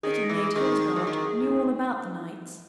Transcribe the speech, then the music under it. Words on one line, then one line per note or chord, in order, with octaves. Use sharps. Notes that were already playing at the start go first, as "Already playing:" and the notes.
Little Maid Hildegarde knew all about the knights.
D#3 G#4
E3
D#3 G#4
E3
D#3